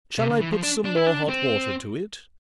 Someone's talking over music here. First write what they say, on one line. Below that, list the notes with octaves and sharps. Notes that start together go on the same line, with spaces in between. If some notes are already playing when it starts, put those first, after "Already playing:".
Shall I put some more hot water to it?
C3
D3
E3
F3
D4
D4
E4
D4
C4